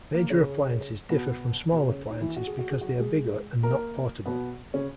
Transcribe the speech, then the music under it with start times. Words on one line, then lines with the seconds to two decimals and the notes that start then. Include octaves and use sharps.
Major appliances differ from small appliances because they are bigger and not portable.
0.14 A#3
0.30 C#3 C#4
1.09 B2 B3
1.72 B2 B3
1.89 C#3 C#4
2.09 D#4
2.21 E3 E4
2.36 F#4
2.47 G#4
2.59 F#4
2.70 G#4
2.81 F#3 F#4
3.00 G#3 G#4
3.63 A#3 A#4
4.26 B2 B3
4.74 C#3 C#4